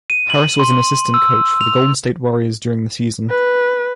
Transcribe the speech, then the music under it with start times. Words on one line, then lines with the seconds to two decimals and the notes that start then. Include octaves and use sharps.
Harris was an assistant coach for the Golden State Warriors during the season.
0.10 D#7
0.30 F#7
0.59 C6
1.14 E6
1.61 F7
3.30 B4